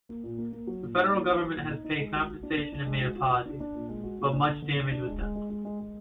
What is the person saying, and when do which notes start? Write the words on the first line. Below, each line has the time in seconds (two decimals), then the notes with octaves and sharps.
The federal government has paid compensation and made apologies, but much damage was done.
0.09 A#3
0.24 A#2
0.38 A#3
0.53 A#3
0.67 F#3
0.82 A#2
0.96 D#4
1.11 A#3
1.25 D#4
1.40 F#3
1.55 A#2
1.70 D#4
1.84 D#4
1.99 G#3
2.14 F#4
2.28 F#4
2.43 D4
2.58 D4
2.72 D4
2.86 G#3
3.01 F#4
3.16 F#4
3.30 F#4
3.45 D4
3.60 D4
3.75 A#2
3.89 G#3
4.04 F#4
4.19 A#2
4.33 D4
4.48 D3
4.62 D3
4.77 D4
4.91 D4
5.06 G#3
5.21 G#3
5.35 G#3
5.50 G#3
5.65 G#3
5.80 G#3